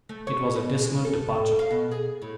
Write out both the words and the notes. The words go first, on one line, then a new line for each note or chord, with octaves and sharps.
It was a dismal departure.
A3
C#5
B2
G#3
A4
F5
B2
G#4
A2